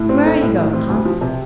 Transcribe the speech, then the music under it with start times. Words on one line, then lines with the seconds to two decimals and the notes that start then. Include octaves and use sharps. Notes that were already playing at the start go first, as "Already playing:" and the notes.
'Where are you going, Hans?'
Already playing: A2
0.09 C4
0.25 A3
0.41 A2
0.57 A2
0.73 C4
0.89 D2
1.05 F3
1.21 C3